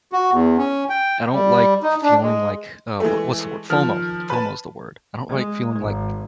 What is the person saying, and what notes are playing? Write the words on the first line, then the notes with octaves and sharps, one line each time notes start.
I don't like f feeling like, uh, what what's the word? FOMO. FOMO is the word. I don't like feeling like
F#4
E2
C#4
G5
G3
D#4
D4
G#3
E3 G#3 A3
D#3 F3 F6
B4 A5
G#3
G#1